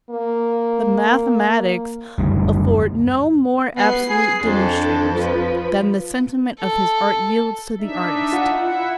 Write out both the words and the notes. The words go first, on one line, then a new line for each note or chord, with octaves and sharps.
The mathematics afford no more absolute demonstrations, than the sentiment of his Art yields to the artist.
A#3
F#1 D2 G2
B3 C7
G#4
F2 D4 A4
F3 B4
A4
D4 D#4 E5
F4 F#5
E4 E5